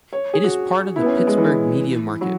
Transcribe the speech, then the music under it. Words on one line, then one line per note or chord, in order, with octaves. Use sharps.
It is part of the Pittsburgh Media Market.
C#5
G#4
F#4
E4
B3
C#4
B3
G#3
E3
F#3